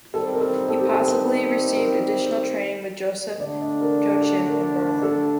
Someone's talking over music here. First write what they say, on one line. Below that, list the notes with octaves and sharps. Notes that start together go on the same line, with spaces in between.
He possibly received additional training with Joseph Joachim in Berlin.
D#3 G3 C4 D#4 A4
A#4
A4
A4
G4
A4
A#4
D#5
D3 A3 D4 D5
D#5
A#4
A4
A#4
A#4
A4